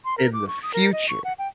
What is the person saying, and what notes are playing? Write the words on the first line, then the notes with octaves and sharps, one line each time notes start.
in the future
C6
A#4
D6
C#6
D#6
A#4
D#5
C#6
F#5
G5